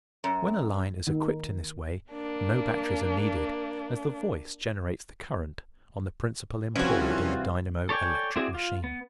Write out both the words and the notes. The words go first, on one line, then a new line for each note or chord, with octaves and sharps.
When a line is equipped in this way no batteries are needed, as the voice generates the current, on the principle employed in the dynamo-electric machine.
F#2
D#3
A#3 D4
C2 E3 F3 C4 C#4 F4 F#4
A4 C#5 D5 G5 G#5
C4 E4 F#4 G#4 D5
F4
B3